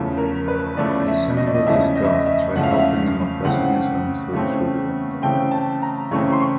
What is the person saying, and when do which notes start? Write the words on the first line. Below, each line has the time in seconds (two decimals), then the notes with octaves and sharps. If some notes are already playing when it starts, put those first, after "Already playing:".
A Senegalese guard tried helping them by passing his own food through the window.
Already playing: E2 C#3 F3 A3
0.18 A#4
0.48 B4
0.77 E2 C#3 F3 A3 D5
1.07 E5
1.37 D#5
1.46 D5
1.55 D#5
1.66 E2 C#3 F3 A3 E5
1.95 D#5
2.04 E5
2.13 D#5
2.26 E5
2.55 E2 C#3 F3 A3 F#5
2.63 F5
2.71 E5
2.79 F5
3.44 C#3 E3 A3 C4 F#5
4.33 C#3 E3 A3 C4
5.22 C#3 E3 A3 C4 G5
5.51 A5
5.82 A#5
6.11 C#3 E3 A3 C4 C#6
6.32 C6
6.41 C#6